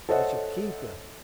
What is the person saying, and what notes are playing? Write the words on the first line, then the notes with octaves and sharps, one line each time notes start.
I shall keep them.
A4 C5 C#5 D#5 E5 F#5